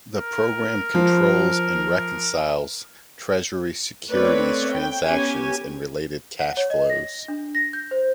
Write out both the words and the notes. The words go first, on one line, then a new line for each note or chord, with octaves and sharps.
The program controls and reconciles Treasury securities transactions and related cash flows.
A#4
F3
A3 B3 C4 B4 C#5 D5
G5
B3 C#4 G4 G#5
F#5
C#5
D#5
A#6
D4
A#6
G6
C5